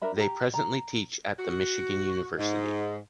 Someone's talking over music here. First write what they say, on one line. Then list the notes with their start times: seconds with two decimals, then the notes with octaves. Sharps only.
They presently teach at the Michigan University.
0.02 D4 A#4 E5 B5
0.16 G4 A#5
0.54 A#5
1.39 F#4
2.38 G#2